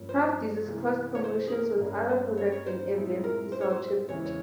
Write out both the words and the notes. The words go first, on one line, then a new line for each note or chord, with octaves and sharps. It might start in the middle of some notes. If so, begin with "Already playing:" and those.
Kraft uses cross-promotions with other products and events to sell Cheese Nips.
Already playing: G2 F3 A#3 C#4
C5
C3 E3 A#3
C#5
C5
G#4
A#4
G2 G3 A#3 C#4
C5
C#5
C#5
C5
A#2 G#3 C4 E4 G#4
A#4
C5
C#5
C5
E2 C#3 E3 G#3 E4 C#5
C#5